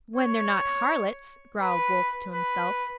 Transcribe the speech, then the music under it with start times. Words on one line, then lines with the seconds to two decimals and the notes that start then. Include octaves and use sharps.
'When they are not harlots,' growled Wulf to himself.
0.16 C#5
1.61 B4
2.34 B4